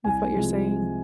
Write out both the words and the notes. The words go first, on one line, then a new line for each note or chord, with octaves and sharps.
with what you're saying.
C2 G#5
C3 F3 G#3